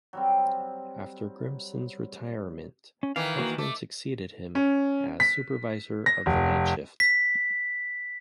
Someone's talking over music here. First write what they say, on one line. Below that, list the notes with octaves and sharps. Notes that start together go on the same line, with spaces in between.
After Grissom's retirement, Catherine succeeded him as Supervisor of the Night Shift.
F#3 G3 C4
C#4
D#3 E3 F5
A#3 F#4 F5
A3 D6
C#4
B6
A#6
F1
B6